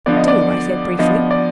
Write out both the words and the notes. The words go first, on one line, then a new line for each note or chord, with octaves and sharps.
"Do," I said briefly.
D3 F3 B3 D5
D#5
D5
D3 F3 B3 D#5
D5